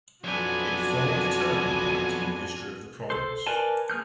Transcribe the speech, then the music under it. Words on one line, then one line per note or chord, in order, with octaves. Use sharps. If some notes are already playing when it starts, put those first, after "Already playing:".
It formed a turning point in the history of the province.
F2 F#3 B3 D4 F#4 G#5
A4 C5
A#4 B4 D5 G#5 A5
A#3 G#4 F6 G6